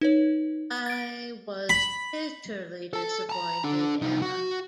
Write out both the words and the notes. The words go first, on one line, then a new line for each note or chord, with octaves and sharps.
I was bitterly disappointed, Emma.
D#4 B4 C#5
A6 D7
B5
A4 A5
A5 A#5
D4 A4
C2 D#4
F#4